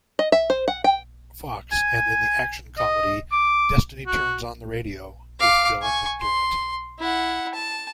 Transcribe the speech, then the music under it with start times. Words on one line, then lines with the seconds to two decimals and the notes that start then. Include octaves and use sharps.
Fox, and in the action-comedy "Destiny Turns on the Radio" with Dylan McDermott.
0.19 D#5
0.32 E5
0.50 C5
0.68 F#5
0.84 G5
1.72 G#5
2.78 D#5
3.32 D6
4.07 F#4
5.40 F5 D6
5.82 G#5 C#6
6.21 C6
6.99 E4 F#5
7.54 A5